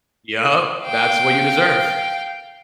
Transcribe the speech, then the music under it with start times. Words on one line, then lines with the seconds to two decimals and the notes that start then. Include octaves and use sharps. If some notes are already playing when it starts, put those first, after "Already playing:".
Yup. That's what you deserve.
0.84 F5 G5